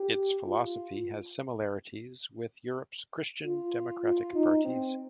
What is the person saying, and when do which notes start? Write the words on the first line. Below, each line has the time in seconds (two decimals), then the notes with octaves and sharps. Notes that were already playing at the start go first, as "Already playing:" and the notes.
Its philosophy has similarities with Europe's Christian democratic parties.
Already playing: G4
0.45 F4
3.45 F4
4.05 F4
4.35 D#4
4.65 C4